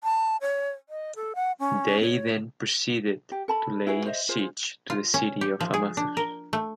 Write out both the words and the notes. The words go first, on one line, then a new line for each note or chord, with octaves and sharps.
They then proceeded to lay siege to the city of Amathus.
A5
C#5
D#5
A4
F#5
C#4
C#5
G4
A4 A5 B5
E4 F#4 G#4 B4
C5 D#5 E5
F4 G#4 C5
F4
C#4
G4
F3
G#4
D4
A#4
A3